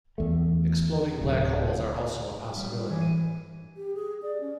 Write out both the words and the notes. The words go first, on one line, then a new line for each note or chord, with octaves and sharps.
Exploding black holes are also a possibility.
E2 A3
D1
G3
D4
E3
D#7
G4
G#4
D5
C#4